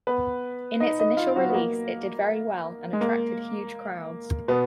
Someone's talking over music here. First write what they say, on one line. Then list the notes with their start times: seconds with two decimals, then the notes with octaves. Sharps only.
In its initial release, it did very well and attracted huge crowds.
0.07 B3 B4
0.80 D#4 D#5
0.99 D#4 D#5
1.17 F4 F5
1.36 F#3 F#4
1.49 B3
1.54 A#3
2.93 G#3
3.01 A#3
4.48 B2 B3